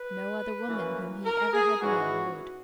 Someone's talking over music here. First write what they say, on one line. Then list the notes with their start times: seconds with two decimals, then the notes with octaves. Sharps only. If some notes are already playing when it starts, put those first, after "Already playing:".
No other woman whom he ever had known would.
Already playing: B4
0.68 F#2 E3 A#3 C#4
1.25 A#4
1.53 G#4
1.81 G#2 E3 G#3 C#4 E4 F#4